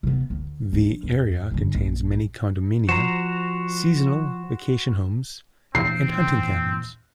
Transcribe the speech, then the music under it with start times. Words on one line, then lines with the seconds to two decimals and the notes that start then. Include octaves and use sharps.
The area contains many condominia, seasonal vacation homes, and hunting cabins.
0.03 C3 B3
0.30 D2
0.73 F3 D4
1.03 E2
1.51 G2 D3
1.74 A#1
2.89 F3 F#4 C5 A#5 E7
5.75 A#2 E3 C4 D4 C7